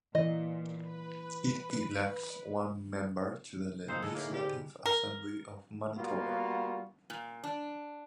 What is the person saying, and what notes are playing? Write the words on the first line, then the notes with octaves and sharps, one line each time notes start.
It elects one member to the Legislative Assembly of Manitoba.
A#2 E3 D#5
B4
A#2 F#3 D#4 A4 C5
G#2 D3 G#3 A4
A2 A#3
G3 C4 G4
A#4
G3 A#3 B3 F4 F#4
A#2
D4